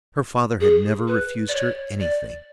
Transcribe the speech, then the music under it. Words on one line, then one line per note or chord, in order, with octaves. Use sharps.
Her father had never refused her anything.
G#4
B4
D5
C#5
D5